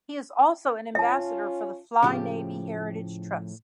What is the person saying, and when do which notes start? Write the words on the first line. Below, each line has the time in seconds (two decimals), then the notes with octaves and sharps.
He is also an Ambassador for the Fly Navy Heritage Trust.
0.95 C#4 F4 E5 A5
2.03 A2 C#3 F3 G4